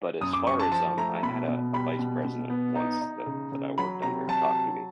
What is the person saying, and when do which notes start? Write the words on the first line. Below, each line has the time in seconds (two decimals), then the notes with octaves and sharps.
But as far as, um I had a a vice president once that that I worked under talked to me,
0.21 F#2 D#6
0.33 D6
0.47 F#2 C#6
0.59 A5
0.72 F3 A5
0.97 A3 A#5
1.23 B2 B5
1.48 B2
1.74 G3 B5
1.99 B2
2.25 B2
2.50 B3
2.75 D#4
3.02 D#4
3.27 C#3
3.52 C#3
3.78 F#3 B5
4.02 C3 A#5
4.28 F#3 A5